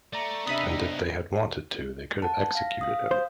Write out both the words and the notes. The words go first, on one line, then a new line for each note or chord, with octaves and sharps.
And if they had wanted to they could have executed him.
A3 D5 A#5
C3 B3 D4 D#4 E5 B5 D#6
F#5 A5
F5 A#6
F5 D#6
C5